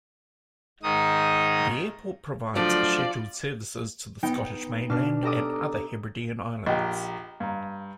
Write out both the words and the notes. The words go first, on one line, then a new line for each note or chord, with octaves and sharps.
The airport provides scheduled services to the Scottish mainland and other Hebridean islands.
G#2 D#3 D#4 D#6
F3 F#3 A3 D4 F4 D5
B3 D#4 F#5 G5
B2 D4 F6
G4 A4 D#5 A#5 D6 D#6
A#1 G4 D#5 A#5
G2 F5 A#5